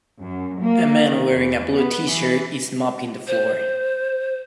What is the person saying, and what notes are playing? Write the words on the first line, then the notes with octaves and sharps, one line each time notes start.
A man wearing a blue Tshirt is mopping the floor.
F#2
A#3
D#3
E2
B3
E3
C5